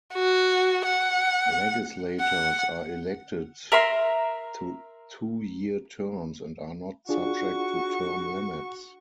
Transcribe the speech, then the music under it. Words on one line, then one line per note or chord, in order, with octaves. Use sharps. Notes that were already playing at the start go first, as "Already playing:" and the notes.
Legislators are elected to two-year terms and are not subject to term limits.
F#4
F#5
F#5
A#4 E5 A#5 C6
D4 F4 F#4 G#4 C#6